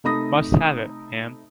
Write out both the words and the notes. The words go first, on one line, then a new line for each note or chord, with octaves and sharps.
Must have it, ma'am.
C3 A3 D#4 B5 D#6 A#6